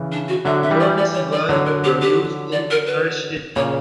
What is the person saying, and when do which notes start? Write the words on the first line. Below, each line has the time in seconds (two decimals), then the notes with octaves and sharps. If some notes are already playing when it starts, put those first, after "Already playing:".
Urns were produced in Kahrstedt.
Already playing: C#3 E3
0.11 D4
0.28 F#4
0.45 D3 F#3 E5
0.63 E5
0.71 E3 G3
0.80 D5
0.97 D5
1.14 C#5
1.32 D5
1.49 D3 F#3 C#5
1.66 A#4
1.84 G4
2.01 G4
2.52 D5
2.70 A#4
2.86 B4
3.55 A#2 C#3 C#5